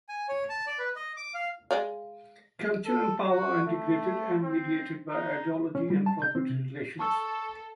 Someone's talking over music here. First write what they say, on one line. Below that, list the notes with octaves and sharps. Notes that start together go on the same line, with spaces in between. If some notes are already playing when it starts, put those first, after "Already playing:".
Culture and power are integrated, and mediated by ideology and property relations.
G#5
C#5
A5
D5
B4
D#5
D6
F5
G#3 D5 F5
A4
F#4
A3
C4
D#4
C#4
G3
A5
G6
C4
C3
A4 A5 C#6 E6